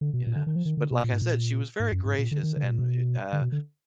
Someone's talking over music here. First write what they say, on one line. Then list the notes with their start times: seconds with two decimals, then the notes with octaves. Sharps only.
you know? But like I said, she was very gracious and i uh, w
0.01 D3
0.14 B2
0.27 A#2
0.36 D3
0.47 D#3
0.56 F3
0.65 D#3
0.77 D3
0.91 B2
1.04 A#2
1.12 G#2
1.22 A#2
1.80 G#2
1.92 F#2
2.05 G#2
2.19 A#2
2.31 D3
2.43 D#3
2.56 D3
2.63 B2
2.71 A#2
2.79 B2
3.33 D3
3.42 B2
3.52 D3